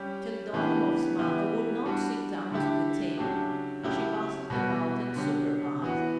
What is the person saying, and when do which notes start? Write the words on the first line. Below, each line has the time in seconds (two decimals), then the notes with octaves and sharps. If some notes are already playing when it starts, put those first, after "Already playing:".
Pseldonimov's mother would not sit down to the table; she bustled about and supervised.
Already playing: G3 C#4 G4
0.53 C#3 E3 B3 D4 G4
1.19 E3 B3 E4 G4
1.85 G3 D4 F#4
2.51 D3 A3 E4 G4
3.18 C#3 F#3 A3 D4 G4
3.83 C#3 F#3 A3 E4 G4
4.50 B2 G3 B3 F#4
5.16 D3 F#3 C#4 G4
5.82 E3 B3 F#4